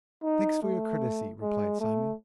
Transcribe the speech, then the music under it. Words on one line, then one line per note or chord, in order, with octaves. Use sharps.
'Thanks for your courtesy,' replied Simon.
D#4
A3
G#3
A3